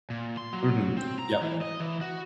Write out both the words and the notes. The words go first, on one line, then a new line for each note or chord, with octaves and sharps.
Mhm, yep.
A#2
C6
F#3
C4
A#5
E3
D#5
E3
F#4